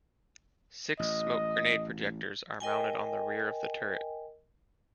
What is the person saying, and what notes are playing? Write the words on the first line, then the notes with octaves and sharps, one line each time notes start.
Six smoke grenade projectors are mounted on the rear of the turret.
A1 D#5
A#4 D#5 G5 G#5